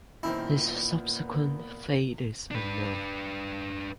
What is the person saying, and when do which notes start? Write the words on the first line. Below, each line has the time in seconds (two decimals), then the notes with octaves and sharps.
His subsequent fate is unknown.
0.23 F#2 A#2 D#3 B3 C4 E4
2.51 D4 B4